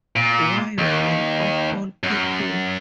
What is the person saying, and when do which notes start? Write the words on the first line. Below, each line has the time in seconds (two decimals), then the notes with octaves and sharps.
Why Wall, of all people?
0.16 A#2
0.78 D#2
2.03 F#2